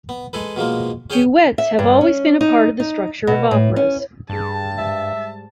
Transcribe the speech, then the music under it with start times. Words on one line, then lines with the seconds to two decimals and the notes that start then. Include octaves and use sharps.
Duets have always been a part of the structure of operas.
0.09 B3
0.33 G#3 G#4 A4 B4
0.56 B2 F3 G#3 A#3
1.10 C#4 G#4 C#5 G5 G#5
1.58 E5
1.79 G2
2.01 C#4
2.41 D#4
2.80 D#4
3.27 B2
3.51 A2
3.76 C#4
4.30 G2 G3 G#4 A5
4.78 G#2 G3 E5